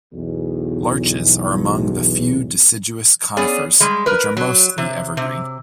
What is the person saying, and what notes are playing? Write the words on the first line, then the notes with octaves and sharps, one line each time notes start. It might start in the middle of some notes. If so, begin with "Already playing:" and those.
Larches are among the few deciduous conifers, which are mostly evergreen.
B1 E2
B3 C#4 G#4 D5
G3 G#3
A#4 B4
F#3
C3
C3